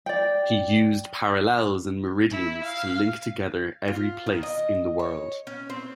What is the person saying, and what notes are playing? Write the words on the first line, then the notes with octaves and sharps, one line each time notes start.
He used parallels and meridians to link together every place in the world.
D5 G5
E4
F5
F4
D#3
D#5
C#5
C#4
C4